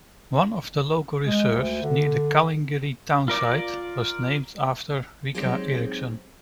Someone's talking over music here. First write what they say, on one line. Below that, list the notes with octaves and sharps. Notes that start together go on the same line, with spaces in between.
One of the local reserves near the Calingiri townsite was named after Rica Erickson.
G#3
D2
D3
F4 A#4 D5 D6
F#3 G#3 C4 D#4 G4 G#4